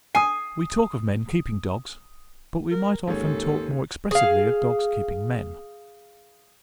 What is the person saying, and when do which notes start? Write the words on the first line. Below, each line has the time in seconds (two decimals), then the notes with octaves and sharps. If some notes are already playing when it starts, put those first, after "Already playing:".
We talk of men keeping dogs, but we might often talk more expressively of dogs keeping men.
0.15 G#5 D#6 C7
2.71 A#4
3.07 D#2 G#2 C#4 A4
4.11 G#4 F5